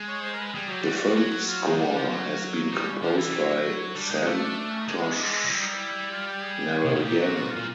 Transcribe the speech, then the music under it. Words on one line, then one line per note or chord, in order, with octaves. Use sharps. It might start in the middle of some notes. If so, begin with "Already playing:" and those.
The film score has been composed by Santhosh Narayanan.
Already playing: G#3
C#5
C5
A#4
B4
G3 G#4
F#3 G4
G3 F#4
F3
F#3
F4
G#3 D#4
G3 D4
F3 D4
F#3
G3 D#4
D4
C#4
F3 D4
E3 E4
G3
F#3
G3 D4
G#3 D#4
A3 D4
D4
D4
C#4
D#4
G#3 D4
C#4
C#4
D4
E4
F#3
G3 E4
D#4
E4
F4
G4
G#4
C3
B2
A#2 G4
F#4
F#4
F4
A#2